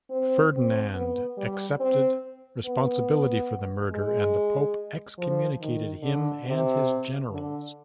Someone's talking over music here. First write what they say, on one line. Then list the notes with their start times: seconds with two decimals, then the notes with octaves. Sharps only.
Ferdinand accepted responsibility for the murder, and the pope excommunicated him and his generals.
0.10 C4
0.53 C4
0.95 B3
1.38 G3
1.80 C4
2.65 B3
3.91 G#3
5.18 F3
5.61 D#3
6.03 D3
6.45 C3
7.29 D3